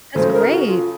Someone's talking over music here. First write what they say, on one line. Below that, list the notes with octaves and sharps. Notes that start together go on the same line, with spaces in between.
That's great.
C#3 F#3 A3 C5
A#4
F#4
F4